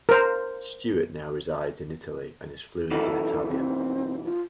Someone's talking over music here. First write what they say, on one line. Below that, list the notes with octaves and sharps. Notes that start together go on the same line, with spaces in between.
Stewart now resides in Italy, and is fluent in Italian.
A#4 C5
B1 F#2 E3 A4
C4
F4